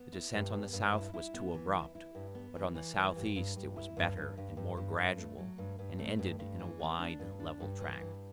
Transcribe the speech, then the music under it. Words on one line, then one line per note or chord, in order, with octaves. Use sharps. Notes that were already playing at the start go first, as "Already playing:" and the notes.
The descent on the south was too abrupt, but on the south-east it was better and more gradual, and ended in a wide, level tract.
Already playing: B3
E4
G2
B3
G2
E4
E4
B3
E3
E4
E4
G2
B3
E3
E3
E3
G2
G2
G2
E4
G2
G2
G2
G2
G2
G2
A3
F#3
G2
G2
A3
G2
G2
E3
B3
D4
G2
D4
G2
E3
G2